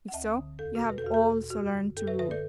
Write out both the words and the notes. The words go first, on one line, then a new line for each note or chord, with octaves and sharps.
If so you have also learned to rule.
F#5
D2 E5 A5
D3
E2 A4
F#4
B2
B4
A4
E2 F#4
A4
B2
F#2 F#4
D3
F#2 A4
B4 E5
D3 B4 E5
A4 D5